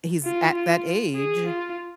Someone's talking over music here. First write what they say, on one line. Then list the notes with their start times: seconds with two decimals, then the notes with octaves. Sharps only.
he's at that age,
0.25 F4
0.55 F4
1.16 G#4
1.46 F4